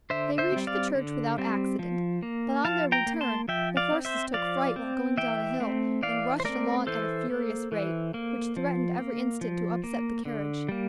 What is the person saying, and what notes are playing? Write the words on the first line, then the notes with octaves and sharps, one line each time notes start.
They reached the church without accident, but on their return the horses took fright while going down a hill, and rushed along at a furious rate, which threatened every instant to upset the carriage.
D3 C5 E5
C5 E5
G3 C4
D5 F5
D3
G3 C4
F3
A#3
F3 F5 A5
G5 A#5
A#3
A5 C6
F3 E5 G5
D5 F5
C4
C5 E5
F3 D5 F5
C4
E3 E5 G5
A3 C4
E3 D5 F5
C5
A3 C4 A#4 D5
E3 A4 C5
A#3
E3
A#3
F3
A#3
F3
A#3
D3
G3 A#3